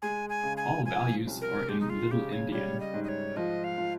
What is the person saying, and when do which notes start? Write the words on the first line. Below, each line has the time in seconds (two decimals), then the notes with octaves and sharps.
All values are in little-endian.
0.02 G#3 G#5
0.30 G#5
0.43 C#3
0.57 G#5
0.85 F3 G#5
1.27 C2
1.41 A#4
1.69 G#3 G4
1.81 D#4
1.90 F4
2.11 C#3 G4
2.32 C#5
2.52 G3 C#5
2.80 D#5
2.94 G#2
3.04 D#5
3.08 C#5
3.36 F3 D#5
3.64 F5
3.78 F3